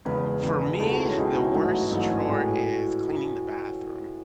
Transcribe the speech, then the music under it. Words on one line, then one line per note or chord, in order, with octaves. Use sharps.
For me, the worst chore is cleaning the bathroom,
E1 E2 C#3 G#3 B4
E1 E2 C#3 G#3
C#2 B2 G#3 D#4 G#4 A4
F#4
E4
C#4
C#2 B2 G#3 D#4 G#4
F#4
E4
A1 G#2 F#3 A3 D#4
E4
F#4
A1 G#2 F#3 A3 E4
G#4
E4
F#4
A2 G#3